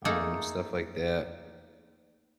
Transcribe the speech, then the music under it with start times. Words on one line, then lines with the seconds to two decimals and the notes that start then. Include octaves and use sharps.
um, stuff like that,
0.05 A3 A#3 D#4 G#4 A4